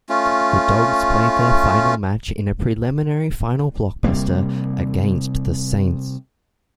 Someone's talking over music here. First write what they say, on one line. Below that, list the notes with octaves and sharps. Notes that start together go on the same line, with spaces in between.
The Dogs played their final match in a Preliminary Final blockbuster against the Saints.
A3 C#4 F4
C3 G3 A#3